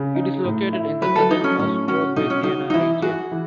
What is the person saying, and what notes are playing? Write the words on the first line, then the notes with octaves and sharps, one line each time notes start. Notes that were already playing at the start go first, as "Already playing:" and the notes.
It is located in the Southern Ostrobothnia region.
Already playing: C#3
D#4
A2
E4
F#3 B4
A4
F#3 D#4
C#4
A2 C#4
C#4 F#4
B2 D#4
C#4
D#4 F#4
D#4
E3 E4
F#4 G#4
E3